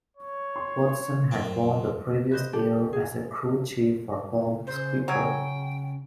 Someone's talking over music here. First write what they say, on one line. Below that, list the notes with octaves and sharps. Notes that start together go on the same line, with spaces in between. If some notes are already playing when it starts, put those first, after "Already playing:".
Watson had won the previous year as a crew chief for Bob Sweikert.
C#5
C6
F#2 C4
B4 C5 D#5
G4 A4
G#4
C#3 C5
F#3 G5 G#5